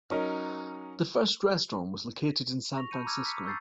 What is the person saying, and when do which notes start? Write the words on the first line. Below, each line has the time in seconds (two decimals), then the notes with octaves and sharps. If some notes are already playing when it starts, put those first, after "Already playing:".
The first restaurant was located in San Francisco.
0.11 F#3 C#4 D#4 A#4
2.76 C#6 A#6 F7
2.91 A5 B5 G6 C#7 D#7
3.05 A#5 B5 D6 E6 F6 G#6
3.26 B6 C#7
3.45 C#6 E6 G6 A6 C7